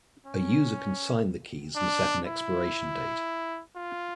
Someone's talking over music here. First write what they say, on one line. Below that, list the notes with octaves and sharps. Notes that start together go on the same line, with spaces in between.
A user can sign the keys, and set an expiration date.
C#4
D4
E4
F4